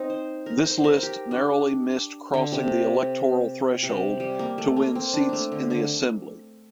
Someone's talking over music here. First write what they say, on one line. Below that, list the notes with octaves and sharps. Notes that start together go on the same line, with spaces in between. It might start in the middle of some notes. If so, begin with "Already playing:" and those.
This list narrowly missed crossing the electoral threshold to win seats in the assembly.
Already playing: C4 D#4
C5
A#4
C5
A#4
G4
D4
D3
C3
C3
G3
A#3
A3
A#3
C4
D4
A3 A#3
D3
D3